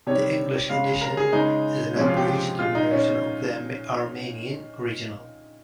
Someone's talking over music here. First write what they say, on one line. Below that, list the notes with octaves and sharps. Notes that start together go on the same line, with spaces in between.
The English edition is an abridged version of the Armenian original.
C3 D#3 G3 C#5
C#3 G#3 F5
A#4
G#4
C#3 G#3 D#4
C3 F3 G#3 C#4
F4
G4
G4
A#2 G#3 F4
D#4
C#4